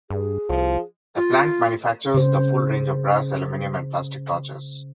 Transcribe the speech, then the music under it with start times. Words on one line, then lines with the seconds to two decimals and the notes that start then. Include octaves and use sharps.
The plant manufactures the full range of brass, aluminium and plastic torches.
0.10 G2 G#4
0.49 C2 F3
1.16 F4
2.14 C#3 C5